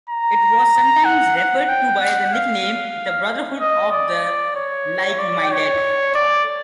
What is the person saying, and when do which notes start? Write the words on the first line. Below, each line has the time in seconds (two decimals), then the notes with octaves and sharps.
It was sometimes referred to by the nickname "the brotherhood of the 'Like-Minded'".
0.10 A#5
1.05 F#5
1.37 F#5
1.69 G5
2.00 F#5
2.33 F5
3.61 D#5
3.92 D5
4.56 C#5
5.19 D5
5.52 C#5
6.15 D5